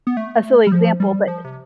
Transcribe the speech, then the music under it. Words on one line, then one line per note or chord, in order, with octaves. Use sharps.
a silly example, but
B3
A3
G3
F3
G3
F3
C3